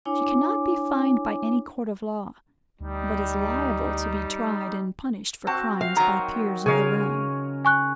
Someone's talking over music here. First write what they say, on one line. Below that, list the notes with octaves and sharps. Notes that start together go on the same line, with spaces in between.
She cannot be fined by any court of law; but is liable to be tried and punished for crimes by peers of the realm.
D4 E4 C#5 G#5 D6
D2 G3 D#4
C4 F#4 A5
F5
D#3 F#3 A#5
C#3 A#4 C#5 F5 G#5
G#5 C#6 F#6